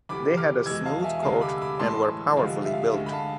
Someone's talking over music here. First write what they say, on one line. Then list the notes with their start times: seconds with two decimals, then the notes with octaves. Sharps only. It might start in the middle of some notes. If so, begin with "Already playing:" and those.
They had a smooth coat and were powerfully built.
0.09 D2 C3 E3 B5 D6
0.37 D6 F6
0.66 E2 B2 G#3 E6 G#6
0.85 F5 A5
0.99 F5
1.04 E5 G#5
1.23 D2 C3 G#3 F5 A5
1.42 B5 D6
1.57 E6
1.61 B5 D6
1.79 A2 E3 G#3 A5 C6
2.36 D2 C3 F3 G#3 F5
2.65 E5
2.73 F5
2.81 E5
2.94 D2 D3 G#3
3.06 B5
3.12 F5 A5